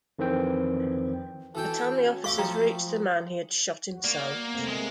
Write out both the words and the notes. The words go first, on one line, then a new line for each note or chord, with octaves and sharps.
By the time the officers reached the man, he had shot himself.
F2 D#3 E3 C4 G5
E3 F#4 A4 G5
C#4
A3 F5 B5 C#6 D6
F3 F5 G5 A#5
G#3
F#4
A#3 D5
C3 A3 C4
G#3 A#3